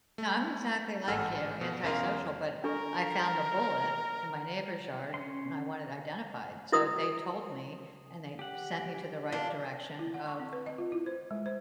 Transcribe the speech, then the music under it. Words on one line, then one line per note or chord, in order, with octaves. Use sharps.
No, I'm exactly like you, antisocial, but I found a bullet in my neighbor's yard, and I want it identified, so they told me, and they sent me to the right direction of,
A3
A1 G#2 A4 F#5 G#5 F6
B2
E2 C#4 A#4 F5 C6
D4 A4 A#4 A#5 C#6
C#4 C6
E4 F#4 A#4 D#6 E6
G4 F#5
D4 F4
E4
F#5
C#6
C4
B4
D#5
F4
E4
C5
G#3
C5